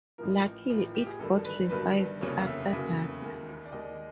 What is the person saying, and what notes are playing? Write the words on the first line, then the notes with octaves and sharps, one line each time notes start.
Luckily, it got revived after that.
A1 A2 F3 A#4
A1 A2 F3
G4
G#4
G1 G2 D#3 F#3 A4
B4
G1 G2 D#3 F#3 B4
F1 E2 C#3 F#3 A#3 C#5
F5
E5
F1 E2 C#3 F#3 A#3
D#2 D#3 G#3
D5
D#2 D#3 G#3 D#5